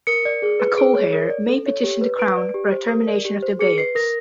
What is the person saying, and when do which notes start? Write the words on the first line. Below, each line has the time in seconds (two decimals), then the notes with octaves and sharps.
A co-heir may petition the Crown for a termination of the abeyance.
0.07 A#4 C#7
0.25 D5
0.42 G#4
0.60 B4
0.78 G#4 D7
0.95 C#5
1.13 A#4
1.30 D5
1.49 A4
1.66 C#5
1.83 G4
2.01 B4
2.18 B4 D7
2.37 D5
2.54 G4
2.72 C5
2.89 A#4
3.07 D5
3.25 G4
3.42 C5
3.59 G#4 C#7
3.78 B4 C7
3.95 A#4 A#6